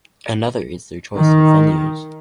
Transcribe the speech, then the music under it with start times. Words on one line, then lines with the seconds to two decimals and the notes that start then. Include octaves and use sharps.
Another is their choice of venues.
1.17 D#3